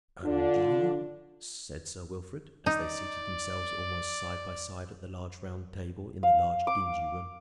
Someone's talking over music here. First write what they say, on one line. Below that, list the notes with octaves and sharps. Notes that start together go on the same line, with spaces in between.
"And you?" said Sir Wilfrid, as they seated themselves almost side by side at the large, round table in the large, dingy room.
D3 D4 F4
D#4 D5
F5
D6